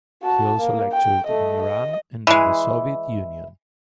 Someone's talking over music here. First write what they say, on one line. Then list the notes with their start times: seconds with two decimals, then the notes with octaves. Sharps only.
He also lectured in Iran and in the Soviet Union.
0.23 F#4 A5
0.58 A#3
0.92 G5
1.26 A3 D#5
1.61 D#5
2.27 E3 G#3